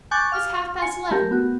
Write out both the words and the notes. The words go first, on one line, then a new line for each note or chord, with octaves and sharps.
It's half-past eleven.
G#5 C#6 D6 F#6 G6 A6
F5 F6
G#5 C#7
A3 G4 A#4
B3 F#4